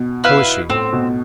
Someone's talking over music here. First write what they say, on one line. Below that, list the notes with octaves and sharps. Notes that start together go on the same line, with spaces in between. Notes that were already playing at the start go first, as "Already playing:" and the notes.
How is she?
Already playing: B2
E4 B4 F5
A2 C4
B2